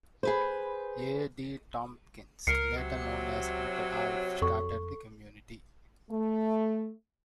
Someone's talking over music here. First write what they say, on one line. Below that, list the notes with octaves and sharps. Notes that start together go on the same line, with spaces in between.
A. D. Tompkins, later known as "Uncle Alf", started the community.
G#4 B4 C5
C#2 A#4 C7 C#7
C3 F#3
F2 A4 C#6
A3